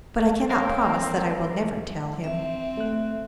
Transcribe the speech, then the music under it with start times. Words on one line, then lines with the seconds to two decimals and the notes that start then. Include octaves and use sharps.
"But I cannot promise that I will never tell him."
0.50 A#3 C4 C#5 F5
2.24 C4 E5
2.77 A3 F#6